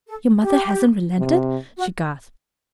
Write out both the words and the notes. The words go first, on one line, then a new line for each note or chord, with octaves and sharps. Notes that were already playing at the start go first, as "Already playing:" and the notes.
"Your mother hasn't relented?" she gasped.
A4
G4
C3
F#4